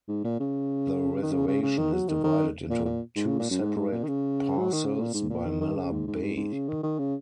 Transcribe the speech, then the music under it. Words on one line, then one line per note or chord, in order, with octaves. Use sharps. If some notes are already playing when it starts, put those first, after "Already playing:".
The reservation is divided into two separate parcels by Miller Bay.
G#2
A#2
C#3
D#3
C#3
C#3
C#3
D#3
F#3
D#3
D#3
A#2
A#2
G#2
C#3
A#2
F#2
G#2
G#2
A#2
D#3
C#3
F#3
D#3
C#3
A#2
G#2
A#2
D#3
D#3
C#3
G#2
G#2
G#2
G#2
C#3
D#3
D#3
C#3